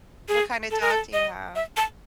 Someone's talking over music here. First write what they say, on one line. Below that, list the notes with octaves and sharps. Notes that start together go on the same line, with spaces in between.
What kinda dog do you have?
G#4
A4
A#4
A4
D#5
E5
A5